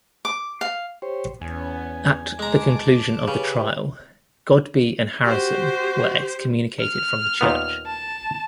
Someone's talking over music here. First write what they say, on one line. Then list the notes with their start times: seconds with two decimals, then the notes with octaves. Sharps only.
At the conclusion of the trial, Godbe and Harrison were excommunicated from the church.
0.25 D6
0.61 F5
1.02 G4 C5 C#5
1.41 E2 B3 C#4 G#5
2.39 G#3 A5 A#5 D6
3.28 C#3 G4 B4
5.23 F#4 G4 C5
6.80 F6
7.41 D#2 A#2 B3
7.87 A5